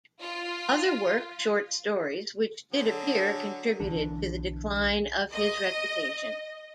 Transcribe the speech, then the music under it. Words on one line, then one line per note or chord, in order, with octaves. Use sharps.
Other work, short stories, which did appear contributed to the decline of his reputation.
F4
D3 F#3 G#4
B1 D3 E3 D4
D#5